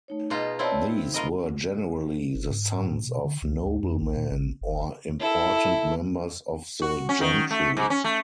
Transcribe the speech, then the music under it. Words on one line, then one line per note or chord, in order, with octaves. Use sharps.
These were generally the sons of noblemen or important members of the gentry.
A3 D#4 C#5
B2 D#4 F4 G#4
C4 E4 F4 C#5 D5 A5
D#4
F4 A#4 D#5 B5
G1
G#2
A2
B2
D3
C#2
D2
F2
A#1
A#2
A1
F#1
E4 A4
F#4
C#4
D#3
A3
G#2
C#4
A3